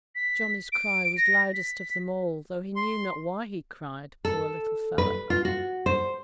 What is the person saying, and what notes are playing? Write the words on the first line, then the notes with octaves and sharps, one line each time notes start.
Johnny's cry was loudest of them all, though he knew not why he cried, poor little fellow.
B6
D7
A#6
B6
C6
A4
B4
F4
F#4
C5